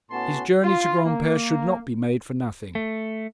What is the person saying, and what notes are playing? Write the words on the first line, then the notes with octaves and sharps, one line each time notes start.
His journey to Granpere should not be made for nothing.
A2 B3 C#4 F#4 A5 C6
F4
A#3
A3